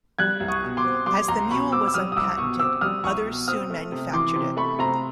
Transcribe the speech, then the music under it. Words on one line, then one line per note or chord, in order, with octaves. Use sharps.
As the mule was unpatented others soon manufactured it.
G3 F#6 G#6
C2
C#6 D#6
B2
C6 D6
C4
G3 C6 D6
C2 A#5 C6
B2 B5 C#6
C4 D6 E6
E6
G3 D#6 F6
D#6
C2 D6 E6
B2 C#6 D#6
C4 D6 E6
G3 D#6 F6
C2 C#6 D#6
B2
C4 D#6 F6
A3
C3
E3 C6 D6
C3
A3 B5 C#6
C3 A#5 C6